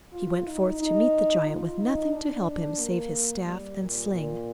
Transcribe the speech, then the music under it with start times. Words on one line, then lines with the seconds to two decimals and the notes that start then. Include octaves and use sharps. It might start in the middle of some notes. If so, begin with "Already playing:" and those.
He went forth to meet the giant with nothing to help him save his staff and sling.
0.13 F4
0.46 D#4
0.79 D#4
1.46 F4
1.79 D#4
2.12 D4
2.78 A#3
3.44 G3
3.78 A#2
4.11 A#2